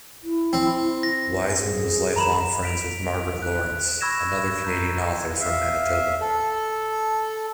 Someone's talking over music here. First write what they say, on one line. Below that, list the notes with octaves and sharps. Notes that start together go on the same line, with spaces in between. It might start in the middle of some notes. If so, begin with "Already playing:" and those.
Wiseman was lifelong friends with Margaret Laurence, another Canadian author from Manitoba.
E4
C4
A#6
G#4
A#5 B5 E7
B6 D7 F7
F#6
B5 C#6 E6 G#6 A#6 E7
A#5 G6
E5 F5
A4